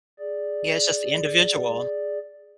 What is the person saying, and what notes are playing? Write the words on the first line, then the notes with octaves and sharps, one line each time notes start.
Yeah, it's just the individual.
G#4 D5